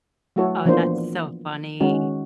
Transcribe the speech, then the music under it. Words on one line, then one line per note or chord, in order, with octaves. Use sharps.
Oh, that's so funny.
F#3 A3 E4 F#4 A4 C#5
E3 F3 A#3 B3 D4 C5
D#3 G#3 C#4 F#4